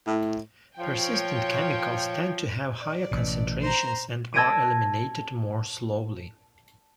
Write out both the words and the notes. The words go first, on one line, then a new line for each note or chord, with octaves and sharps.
Persistent chemicals tend to have higher concentrations and are eliminated more slowly.
A2
F3 C#5 G5
D5
A1 B2
C5 A#5
A5 E6 G#6 A#6 D7 D#7